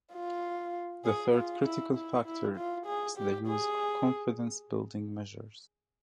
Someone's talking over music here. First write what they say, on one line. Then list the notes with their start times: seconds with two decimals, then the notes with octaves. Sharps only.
The third critical factor is the use of confidence-building measures.
0.13 F4
1.04 G#4
1.35 F4
1.64 E4
1.96 E4
2.25 E4
2.57 F4
2.86 G#4
3.17 G4
3.47 G#4